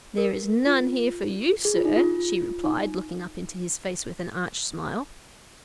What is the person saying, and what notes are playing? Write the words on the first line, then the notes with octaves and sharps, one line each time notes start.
"There is none here for you, sir," she replied, looking up into his face with an arch smile.
A#4
F4
G#4
F4
D#4
F4
D#4